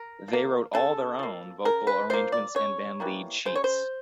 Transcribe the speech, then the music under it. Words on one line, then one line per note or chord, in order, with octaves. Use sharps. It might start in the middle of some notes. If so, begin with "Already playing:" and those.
They wrote all their own vocal arrangements and band lead sheets.
Already playing: A#4
F3
A#3
C#3 A4
F3 A#3
C#3 A#4
B4
F3 A#3 C5
D5
C#3 C#5
E3 G3 A#3
C#3 C5
C#5
C5